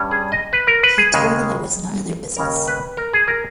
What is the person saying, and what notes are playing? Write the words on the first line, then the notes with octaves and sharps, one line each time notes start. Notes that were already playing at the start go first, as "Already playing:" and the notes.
He told them it was none of their business.
Already playing: G2 G3 C#4
G#4
D#5
B4
A#4
B4
G#4
D#2 C#3 G#3
D#2 C#3 G3 C#4 A#4
B4
A#4
G#4
A#4